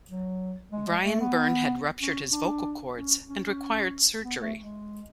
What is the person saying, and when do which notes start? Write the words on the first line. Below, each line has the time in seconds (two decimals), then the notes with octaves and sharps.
Brian Byrne had ruptured his vocal cords and required surgery.
0.09 F#3
0.72 G#3
0.88 G#3
1.04 A3
1.20 B3
2.00 C#4
2.32 D4
2.96 C#4
3.29 C#4
3.45 C#4
4.24 B3
4.41 A3
4.57 G#3